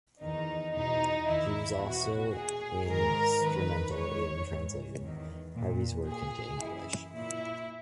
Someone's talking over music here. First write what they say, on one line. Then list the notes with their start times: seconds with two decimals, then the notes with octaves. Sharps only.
He was also instrumental in translating Havel's works into English.
0.21 E2 D#3 D#4
0.74 E2 B2 D#4
1.28 E2 D#3 E4
1.81 E2 B2 F#4
2.34 A#2 G#4
2.87 G#2 D#3 A#4
3.40 F#2 D#3 B4
3.94 G#2 D#3 C#5
4.48 G#2 E3
5.02 E2 D#3
5.55 A#2
6.08 A#2 G#4
6.61 F#2 C#3 E3 E4
7.14 A#2 E4